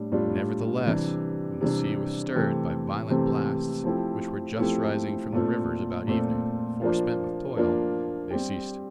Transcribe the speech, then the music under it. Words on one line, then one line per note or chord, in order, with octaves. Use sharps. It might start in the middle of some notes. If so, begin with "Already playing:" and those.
Nevertheless when the sea was stirred by violent blasts which were just rising from the rivers about evening, forspent with toil, they ceased.
Already playing: A2 G3 D4
A2 G3 D4 F4
C3 E3 G3 D4
C3 E3 G3 D4
C3 E3 A3 C4 G4
C3 E3 A3 C4 G4
F3 A3 C4 E4 G4
F3 A3 C4 E4 G4
A#2 A3 C4 F4
A#2 A3 C4 F4
F3 A#3 D4 F4
F3 A#3 D4 F4
G3 C4 G4